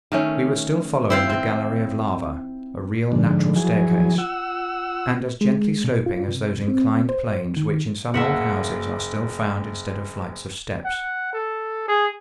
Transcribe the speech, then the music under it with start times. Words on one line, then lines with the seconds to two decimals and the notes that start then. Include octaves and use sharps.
We were still following the gallery of lava, a real natural staircase, and as gently sloping as those inclined planes which in some old houses are still found instead of flights of steps.
0.12 D#3 A3 C#4
1.10 C4 E4 C5 F5
1.29 C4
3.12 G#2 D3 F3
3.56 E3 F#3 G#4
4.18 F4 F#5 E6
5.41 G#3
5.84 B2
6.06 F4
6.28 C3
6.68 C4
7.09 C5
7.57 D#3
8.14 F#1 A#3 E5 F#5
10.85 F#5
11.33 A4
11.88 G#4